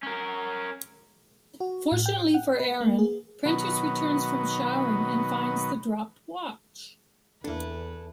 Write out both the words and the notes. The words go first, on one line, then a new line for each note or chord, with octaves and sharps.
Fortunately for Aaron, Prentice returns from showering and finds the dropped watch.
C#4 A#4
F#4
A2
G5
F#5
B4
A#3
G#4
B2 D#3 F#3 B3
E2 A#3 D4 E4 A4 B4